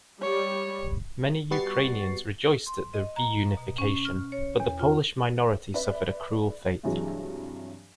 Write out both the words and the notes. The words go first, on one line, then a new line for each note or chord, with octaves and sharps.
Many Ukrainians rejoiced at the "reunification", but the Polish minority suffered a cruel fate.
G3 C#5
G3 B3 F#4 C#6 A6 C7
C6
D#5
A#5
B2
C#4
F6
C#5
E2
F4
B4 D5 E5
G2 C3 E3 F#3 G#3